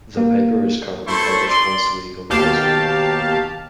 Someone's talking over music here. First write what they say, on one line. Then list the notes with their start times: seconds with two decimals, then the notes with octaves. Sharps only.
The paper is currently published once a week on Thursday.
0.17 A#3
1.07 A3 E4 A4 C5 C6 C#6
1.48 D5 C6
2.30 D#2 B2 G4 F5 A5